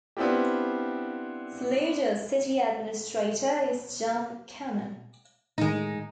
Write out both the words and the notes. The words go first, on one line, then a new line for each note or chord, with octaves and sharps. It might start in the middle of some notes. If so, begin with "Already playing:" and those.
Saluda's City Administrator is Jon Cannon.
B3 C4 D4 E4 F4 G4
A2 D#3 G#3 D#4